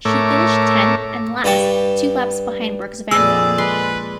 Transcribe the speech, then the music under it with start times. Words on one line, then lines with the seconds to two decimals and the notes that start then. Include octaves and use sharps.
She finished tenth and last, two laps behind Brooks' Vanwall.
0.05 A2 A3 A#4 C#5 E5 D6
1.44 G2 G3 G5 A5 C#6
3.11 F2 A#2 G#4 B4 D5 D#5 E6
3.58 G#3 B4 C6